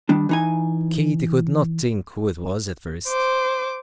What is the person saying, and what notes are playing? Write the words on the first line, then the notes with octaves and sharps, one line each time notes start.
Katy could not think who it was, at first.
D#3 G3 D4
E3 D#4 G#5
C5 D6